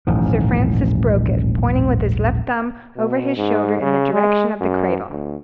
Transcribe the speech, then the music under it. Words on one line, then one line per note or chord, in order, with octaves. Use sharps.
Sir Francis broke it, pointing with his left thumb over his shoulder in the direction of the cradle.
D#1 A1 G#2 F3
B2
G#2
C#3
G#3
F#2
D2